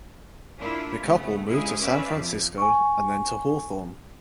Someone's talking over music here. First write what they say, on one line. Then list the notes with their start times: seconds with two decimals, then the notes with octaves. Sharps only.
The couple moved to San Francisco and then to Hawthorne.
0.59 A#3 D4 E4 F4
1.01 C#3 A3 B3
1.45 C#3 G#3 E4 F4 G4 G#4
1.78 C#4 B4 C5 D5 E5 F5
2.14 F2 F3
2.58 G#5 C#6